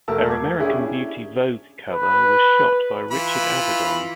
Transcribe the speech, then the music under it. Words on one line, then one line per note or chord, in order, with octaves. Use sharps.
Her American Beauty "Vogue" cover was shot by Richard Avedon.
E1 A3 A#4 E5 A5 E6
D6 G#6
C#4 D4 E4 G4 G#4
B4
E3 F4 B5